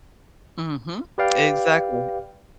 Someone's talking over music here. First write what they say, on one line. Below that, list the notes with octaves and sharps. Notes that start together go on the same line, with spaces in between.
Mhm. Exactly.
G4 B4 D5 F5 G5